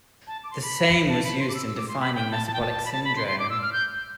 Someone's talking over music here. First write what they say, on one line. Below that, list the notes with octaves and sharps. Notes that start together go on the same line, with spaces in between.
The same was used in defining metabolic syndrome.
A5
D6
C6
B5
A5
B5
C6
D6
E6
E6
D6
C6
B5
G5
A5
A5
G5
A5
B5
A5
B5
C6
C6
D6
E6
F6
G6